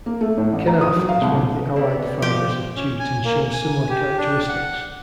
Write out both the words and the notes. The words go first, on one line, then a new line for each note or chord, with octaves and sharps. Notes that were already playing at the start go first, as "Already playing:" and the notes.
Kenaf is one of the allied fibres of jute and shows similar characteristics.
A#3
A3
A2
A1
A#5
D#6
F#3
F5
C2
A#1
D3 B3
F3 G4
C#4
G#5
A#3
G#5
G4
D4
F#5